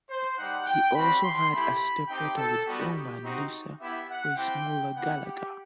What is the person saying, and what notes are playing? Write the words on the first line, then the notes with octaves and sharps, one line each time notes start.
He also had a stepdaughter with Baumann, Lisa Weissmuller-Gallagher.
C5
G3 D#4 G4 F#5
G5
G3 C4 F#4 B5
C6
A3 E4 G4 B5
C4 D#4 G4 G5
A4
G3 B3 D#4 F#4 G4
C4 D#4 F#4
B3 E4 G4 E5
F#5
C4 E4 G4 G5
B3 E4 G4 F#5
G4